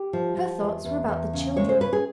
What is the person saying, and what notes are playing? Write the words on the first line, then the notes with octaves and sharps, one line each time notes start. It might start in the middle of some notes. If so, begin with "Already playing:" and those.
Her thoughts were about the children.
Already playing: G4
F3
F3
E2
E2
E2
C#3
G#3 C#5
C5
C#4 B4
G#4